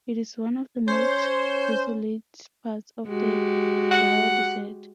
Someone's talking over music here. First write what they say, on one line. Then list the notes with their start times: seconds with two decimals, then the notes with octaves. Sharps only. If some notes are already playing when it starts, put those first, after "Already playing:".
It is one of the most desolate parts of the Sahara Desert.
0.88 C#4 C5 C#5 C6
3.07 G#3 F#4 G4
3.91 F#5